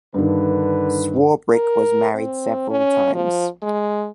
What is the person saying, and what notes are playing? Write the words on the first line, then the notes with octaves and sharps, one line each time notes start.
Swarbrick was married several times.
G2 D3 D#3 B4
A#4
C4
C#4
F3
G#3